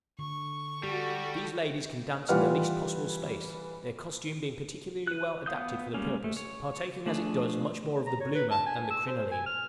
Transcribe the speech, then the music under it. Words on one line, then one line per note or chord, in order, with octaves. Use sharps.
These ladies can dance in the least possible space, their costume being particularly well adapted for the purpose, partaking as it does much more of the "Bloomer" than the "crinoline."
D3 C#6
G3 F#4 G4 A4
E3 G3 F4 B4 F#5 F6
B4 F#6
B3 F5 D#6 G6
G3 G#3 A#3 C#4
A3
C#5
F3 A3 D4 G#4
A#5
C#5
B4
A5
G#5
E6
C5
G#5
F6